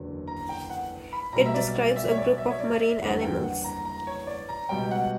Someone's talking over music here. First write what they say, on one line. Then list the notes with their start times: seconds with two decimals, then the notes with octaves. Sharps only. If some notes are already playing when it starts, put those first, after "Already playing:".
It describes a group of marine animals.
Already playing: F#1 E2 D3 F#3
0.27 A#5
0.49 G5
0.70 F#5
1.13 B5
1.32 B1 B2 G3 A#5
1.46 E5
1.54 D5
1.75 D5
1.96 E5
2.11 C#5
2.18 D5
2.38 E5
2.50 C#5
2.60 D5
2.80 E5
3.01 F#1 E2 D3 G3 F#5
3.22 G5
3.43 F#5
3.64 A#5
3.85 A#5
4.07 C#5
4.27 D5
4.49 A#5
4.69 C#2 B2 G3 G5
4.91 F#5